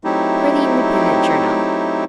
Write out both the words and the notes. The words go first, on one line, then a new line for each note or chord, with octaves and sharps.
For the Independent Journal.
F#3 A3 C4 D#4 E4 G4